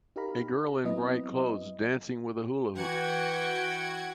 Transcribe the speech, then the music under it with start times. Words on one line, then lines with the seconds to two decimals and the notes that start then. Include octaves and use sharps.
A girl in bright clothes dancing with a hula hoop.
0.16 D#4 G4 A#4 F5 A#5 B5
0.84 F#3 B3 C4 E4 B4 D#5
2.76 E3 E4 F#4 F#5 G5 G#6